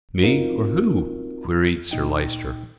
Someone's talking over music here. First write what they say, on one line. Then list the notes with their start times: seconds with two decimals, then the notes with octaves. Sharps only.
"Me or who?" queried Sir Lyster.
0.23 C4 D4 D#4 F4 F#4 A#4
1.91 A#2 D#4 G5